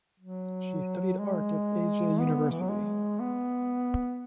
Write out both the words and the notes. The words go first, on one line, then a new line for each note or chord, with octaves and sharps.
She studied art at Ege University.
F#3
G#3
B3
E3
F#3
G#3
B3